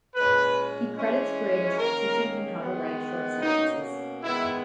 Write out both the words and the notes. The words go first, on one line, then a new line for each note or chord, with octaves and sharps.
He credits Graves with teaching him how to write short sentences.
A#2 G#3 C#4 B4
E3 G#3 C#4
D#3 A#3 C#4 A#4
D#3 G#3 B3
B2 A#3 C#4 D#4
D#3 G#3 B3 E4